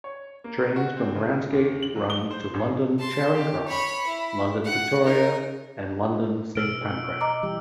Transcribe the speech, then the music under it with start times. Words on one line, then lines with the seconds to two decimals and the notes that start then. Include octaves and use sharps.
Trains from Ramsgate run to London Charing Cross, London Victoria and London Saint Pancras.
0.04 C#5
0.44 A#3
0.76 F#4
0.97 C4
1.15 C#3
1.52 D#2
1.83 F#7
1.96 F#3
2.10 G7
2.31 C5
2.54 A1
2.99 A5 C6
3.34 G4
3.67 C#5 B5
4.07 E4
4.64 F#5
5.04 D#4 A#4
6.55 B2 E6 F6 D7
7.21 D#5 A#5 D6
7.43 E3 G3 G4